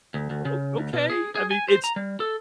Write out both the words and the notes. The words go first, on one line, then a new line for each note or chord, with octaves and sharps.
o okay, I mean, it's,
D2
D2
C#3
D2
B2
G#4
G#4
G#5
C5
A#5
G3
A4